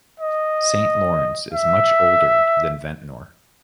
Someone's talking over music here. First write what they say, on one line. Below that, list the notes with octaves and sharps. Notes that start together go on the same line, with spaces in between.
Saint Lawrence is much older than Ventnor.
D#5
E5